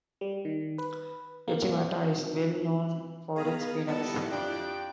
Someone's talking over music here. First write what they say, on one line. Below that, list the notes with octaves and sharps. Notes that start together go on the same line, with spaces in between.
Yachimata is well known for its peanuts.
G3
D#3
B4
A#3
C4
G#1
B3 G#4 F5 A#5 B5
G3 B3 D#4 E4 A4 D#5 A5
F2 D4 G4 D5 G5 F#6